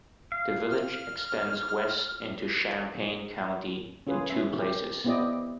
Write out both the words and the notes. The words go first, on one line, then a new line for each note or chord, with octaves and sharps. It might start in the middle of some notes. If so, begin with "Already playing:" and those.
The village extends west into Champaign County in two places.
F5
F6
C#4 F4 G#4 B4
C#4 E5
G4
B3 C4 E4 G4 D5 D#5